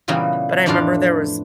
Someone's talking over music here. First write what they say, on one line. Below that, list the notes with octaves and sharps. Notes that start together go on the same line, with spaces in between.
but I 'member there was
A#2 C#3 E3 G3 A#3 B3
F2 A2 E3 D4 F4 F5